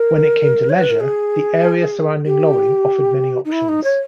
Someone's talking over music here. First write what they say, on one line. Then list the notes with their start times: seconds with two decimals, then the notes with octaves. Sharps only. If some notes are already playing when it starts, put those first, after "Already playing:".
When it came to leisure, the area surrounding Loring offered many options.
Already playing: A#4
0.69 C#5
0.79 B4
0.90 A#4
1.00 G#4
2.26 G4
3.45 D#4
3.52 E4
3.68 D#4
3.84 C#5